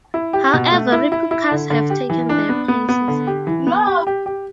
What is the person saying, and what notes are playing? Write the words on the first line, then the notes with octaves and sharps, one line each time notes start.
However, replicas have taken their places.
E4
G4
B2
A3
E4
E4
E4
D3
D3
G4
E3
D4
B3
B3
B3
D3
G4
E3
B3
G4
G4
G4